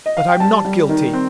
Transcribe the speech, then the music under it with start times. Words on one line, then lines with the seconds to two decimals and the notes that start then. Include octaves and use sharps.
But I'm not guilty.
0.06 D#5
0.17 F5
0.28 G5
0.40 G3 A5
0.65 G3
0.89 D#3
1.13 C4